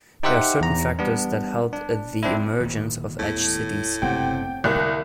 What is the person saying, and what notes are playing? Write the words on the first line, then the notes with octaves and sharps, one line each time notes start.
There are certain factors that helped the emergence of edge cities.
D#4 G4 C5 E5 F#5
E2 A#5
G3 B3 D4
D4
C4 D4 E4
D1 A#2 D#3
D#2 A2 A3 B3
F#1 C3 A3 C4 F#5 G5
C2 D3 A#3 E5 F#6